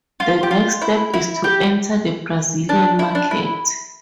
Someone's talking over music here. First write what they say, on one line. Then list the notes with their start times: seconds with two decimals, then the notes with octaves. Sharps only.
The next step is to enter the Brazilian market.
0.20 F4
0.43 G4
0.51 F4
0.82 E4
1.14 E4
1.44 G4
2.69 D4
2.99 E4
3.15 D4
3.31 E4